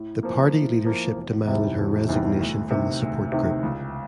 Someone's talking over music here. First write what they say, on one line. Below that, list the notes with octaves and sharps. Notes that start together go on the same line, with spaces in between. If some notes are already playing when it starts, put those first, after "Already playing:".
The party leadership demanded her resignation from the support group.
Already playing: A2
F3 A#3
A2
F3 A#3
E1
E2 C3 D#3 G3
E1
E2 C3 D#3 G3
D2
C3 D#3
D2
C3 D#3
C#2